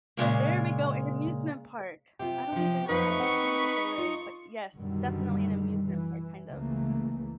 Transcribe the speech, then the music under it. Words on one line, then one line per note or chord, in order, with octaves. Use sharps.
There we go, an amusement park. I don't even know why I couldn't get the word, but, yes, definitely an amusement park, kind of.
A#2 C#3 G#3 A#3
C3 F4 G4
C3 F3
F2 F3 D#4 B4 F5 C#6
C4 F#5
F4
F#2 B2 D3 D#3 G3
E3
C#2 C#3 E3 A3 A#3